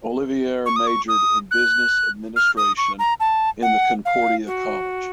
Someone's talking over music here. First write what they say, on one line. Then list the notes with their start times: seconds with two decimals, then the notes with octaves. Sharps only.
Ollivierre majored in Business Administration in the Concordia College.
0.66 C#6
0.76 D#6
0.87 C#6
1.08 D#6
1.51 F#6
2.36 F6
2.57 D#6
2.77 C#6
2.99 A#5
3.20 A5
3.62 F#5
4.05 F5
4.47 F#4